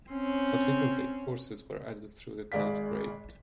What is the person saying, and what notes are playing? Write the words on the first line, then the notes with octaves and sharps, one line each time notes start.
Subsequently, courses were added through the tenth grade.
C4 C#4
G#1 G#3 D5 F5 B6